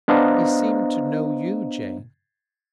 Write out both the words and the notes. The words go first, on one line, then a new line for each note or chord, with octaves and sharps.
He seemed to know you, Jane.
B3 D4 C5 D#5 F5 A#5